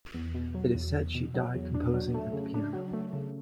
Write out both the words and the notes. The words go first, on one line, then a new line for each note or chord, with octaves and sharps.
It is said that she died composing at the piano.
E2
B2
F#3
E2
E2
B2
F#3
E2
D4
F#3
A3
C#3
D4
F#3
A3
C#3